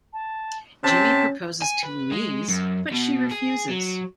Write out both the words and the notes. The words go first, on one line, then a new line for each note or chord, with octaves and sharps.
Jimmy proposes to Louise but she refuses.
A5
C3 C4 C#4 A5 B6
G#5
B4
G#3
F#2
B2
G#4
F#3